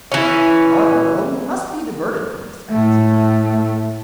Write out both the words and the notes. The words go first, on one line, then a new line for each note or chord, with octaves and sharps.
However, Raoul must be diverted from this fancy.
E3 C#4
A2 A3